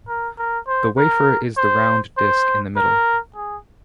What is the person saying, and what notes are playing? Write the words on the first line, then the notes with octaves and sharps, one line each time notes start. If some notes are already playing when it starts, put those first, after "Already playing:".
The wafer is the round disc in the middle.
A#4
A#4
C5
A#4
C5
C5
A#4
G#4